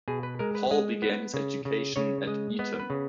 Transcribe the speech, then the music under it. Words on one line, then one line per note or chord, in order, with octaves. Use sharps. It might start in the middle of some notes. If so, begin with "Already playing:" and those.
Hall began his education at Eton.
B2 G#4
B4
G#3 A#4
B4
G#3 D#5
B3
C#3
C#3
C#3 C#5
G#3 D#5
B3 D#5
B4
C#3